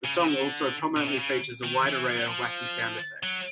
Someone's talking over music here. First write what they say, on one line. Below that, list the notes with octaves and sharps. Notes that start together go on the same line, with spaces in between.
The song also prominently features a wide array of wacky sound effects.
C#3
C#3
D3
B2
C3
C#3
D#3
E3
F3
F#3
F3
F#3